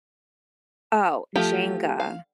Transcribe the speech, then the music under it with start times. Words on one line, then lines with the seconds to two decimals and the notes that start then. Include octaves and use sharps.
Oh, Jenga.
1.36 F3 A3 F4 G4
2.00 F5